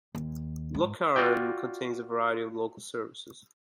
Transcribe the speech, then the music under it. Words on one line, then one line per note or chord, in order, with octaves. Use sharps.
Lochcarron contains a variety of local services.
D#2
G#2
F4 F#4 D5 G5